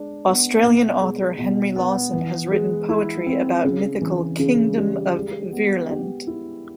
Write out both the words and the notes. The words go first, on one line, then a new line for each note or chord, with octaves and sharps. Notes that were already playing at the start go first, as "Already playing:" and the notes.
Australian author Henry Lawson has written poetry about mythical "Kingdom of Virland".
Already playing: G#3 D4
B3
B2
G#3
B2
B3
E3
G#3
E4
C4
C#3
E3
C#3
G3
G#3
B3
G4
E4